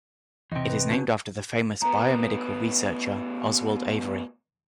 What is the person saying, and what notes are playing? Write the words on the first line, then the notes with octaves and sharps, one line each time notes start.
It is named after the famous biomedical researcher Oswald Avery.
E2 C3 D#5 G5
B4
C#4 D4 F#4
A2 B3 A#5